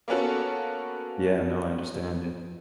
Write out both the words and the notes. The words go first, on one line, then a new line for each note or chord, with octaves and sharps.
Yeah, no, I understand, yeah.
A#3 B3 C#4 F#4 A4